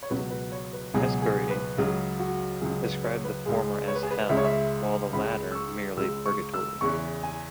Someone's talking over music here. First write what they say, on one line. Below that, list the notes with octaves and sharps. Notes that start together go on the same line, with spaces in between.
Caspary described the former as hell, while the latter merely purgatory.
C#5
C#2 B2 F#3 B4
B4
C#5
B4
C#2 B2 F#3 G#4
G#4
B4
C#2 C#3 F#3
F#4
C#2 C#3 F#3 G#4
B4
C#5
B4
C#2 C#3 G#3 G#4
C#5
B4
G#4
B4
C#2 C#3 G#3 E5
C#5
E5
C#2 C#3 G#3 B5
E6
C#6
C#2 C#3 G#3 E6
C#6
E6
E2 C#3 E3 C#6
G#5